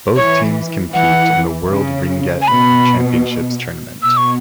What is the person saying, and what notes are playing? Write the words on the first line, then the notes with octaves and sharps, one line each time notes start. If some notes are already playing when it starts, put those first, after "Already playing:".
Both teams compete in the World Ringette Championships tournament.
E3 C#5
E3 F#5
C#3
G#5
B2 B5
B2 E6
C#6